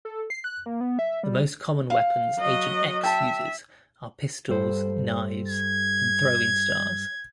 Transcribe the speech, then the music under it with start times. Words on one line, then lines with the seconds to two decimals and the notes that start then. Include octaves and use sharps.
The most common weapons Agent X uses are pistols, knives, and throwing stars.
0.05 A4
0.30 C7
0.44 F#6
0.66 A#3
0.81 B3
0.99 E5
1.23 G3
1.90 F5
2.40 F#3 D#5
3.03 E5 G5 A5
4.49 G2 A4 C5
5.48 G#6